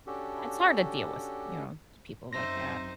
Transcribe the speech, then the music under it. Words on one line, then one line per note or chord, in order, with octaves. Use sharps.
it's hard to deal with, you know, people like that.
C#4 D4 F#4 G4 A4
F#2 C4 D#4 C5 E5 C6 A#6